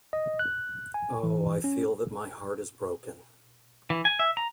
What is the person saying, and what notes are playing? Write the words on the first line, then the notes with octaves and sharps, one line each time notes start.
Oh, I feel that my heart is broken.
D#5
F#6
G#5
E3
C#4
E3
G#5
E5
A#5